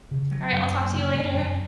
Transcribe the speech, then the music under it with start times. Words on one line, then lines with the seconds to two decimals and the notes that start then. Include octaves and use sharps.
Alright, I'll talk to you later.
0.11 C#3
0.31 F#3
0.52 F#2
0.73 A#3
0.93 C#3
1.14 F#2
1.35 F#2